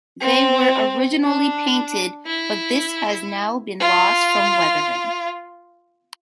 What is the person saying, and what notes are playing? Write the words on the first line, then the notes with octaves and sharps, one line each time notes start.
They were originally painted but this has now been lost from weathering.
C4
D4
E4
F4